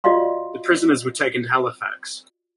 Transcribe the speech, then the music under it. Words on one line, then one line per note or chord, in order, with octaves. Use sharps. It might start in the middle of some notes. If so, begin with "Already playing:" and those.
The prisoners were taken to Halifax.
F4 F#4 D5 D#5 F5 C6